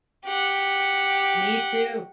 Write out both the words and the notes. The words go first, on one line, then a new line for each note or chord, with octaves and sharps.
Me too,
G4 F#5